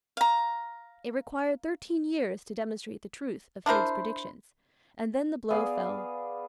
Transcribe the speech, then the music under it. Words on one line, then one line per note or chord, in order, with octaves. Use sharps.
It required thirteen years to demonstrate the truth of Haig's predictions, and then the blow fell.
F5 A#5
D4 E4 A#4 C5
B3 G#4 D5 F5